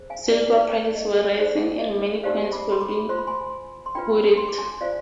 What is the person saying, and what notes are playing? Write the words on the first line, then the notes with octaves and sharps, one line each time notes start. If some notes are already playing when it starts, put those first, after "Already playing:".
Silver prices were rising, and many coins were being hoarded.
Already playing: G#4 C5
F5 G#5
D5
D#4 B4 D5 F5
D#5
D#4 G#4 C5 D5
D#5
D#4 G4 C5 D5 F5
B5 D6
C6
B5 D6
F4 C5 C6
B5
G#5 C6
C6
D4 F4 B4 G5 B5
C6
D6
G#5 C6
F4 C5 D5 F5